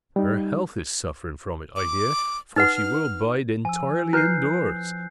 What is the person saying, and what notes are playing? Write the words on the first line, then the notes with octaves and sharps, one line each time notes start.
Her health is suffering from it, I hear, for she will bide entirely indoors.
G3 D#4
D6
D#4 B4 F#5 F6
F3 G#5 E6
E4 B4 F#6 G6 C7